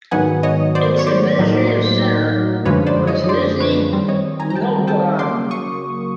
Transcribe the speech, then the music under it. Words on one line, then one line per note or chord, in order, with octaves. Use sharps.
Its administrative centre was Nizhny Novgorod.
G#2 D#3 F#3 B3 F#5 G#5
C#5 D#5
C5 D5
C#5
C5 D5
A2 F#3 A#3 D#4
F#2 D3 F3 G#3 B4 C#5
C5 D5
C#5 D#5
D#5
C5 D5
B4 C#5
D#3 G3 C4
C#5 D#5
G#5 A#5
A#5
G5 A5
G5 A5
C#3 F#3 A#3 C6 D6
C#6 D#6